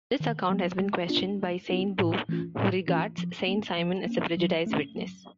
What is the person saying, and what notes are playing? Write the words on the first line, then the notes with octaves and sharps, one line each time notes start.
This account has been questioned by Sainte-Beuve, who regards Saint-Simon as a prejudiced witness.
D#3
F#3 B3
G#3
B3 D4 F4
G#3
B3 D4 F4
A2
E3 A3 C#4 F4
A2
E3 A3 C#4 F4
F3
A#3 C#4
F3
A#3 C#4
F#3
A3 C#4
F#3